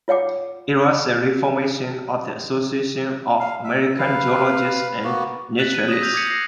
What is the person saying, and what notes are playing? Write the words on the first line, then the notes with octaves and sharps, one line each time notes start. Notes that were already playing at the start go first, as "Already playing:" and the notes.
It was a reformation of the Association of American Geologists and Naturalists.
F4 C#5 F#5 G5 D6
F5
E5
B4 F5
A#3 B3 F#4
F#6 A6 B6 F#7
D#7
D#6 G#6 A#6 B6
D#6 E6 G6 A#6 F7
D6 D#6 G#6 B6 C#7 D#7
A#6 C7